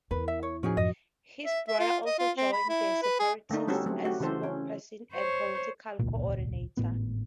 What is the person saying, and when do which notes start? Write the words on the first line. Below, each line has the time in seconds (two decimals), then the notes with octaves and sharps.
His brother also joined the separatists as spokesperson and political coordinator.
0.11 E2 E4 A#4 B4
0.28 E5
0.43 C#5
0.63 A2 F3 C#4 D#4 F#4 G#4
0.77 F#2 D#5
1.44 E5
1.68 E5
1.80 F4
2.06 D#5
2.19 F4
2.37 C4
2.53 B5
2.69 E4
3.02 B4
3.19 G#4
3.50 D3 A3 A#3 D4 D#4
3.68 G3 C4 C#4 F#4 A4
3.86 F#3 A3 C4
4.04 A3 F#4 G4
4.20 C#3 E3 G4 A4 C5
4.43 C#4
5.13 C5 C#5
5.99 D#1 G#1 C#2 A#2
6.77 G#1 A2 B3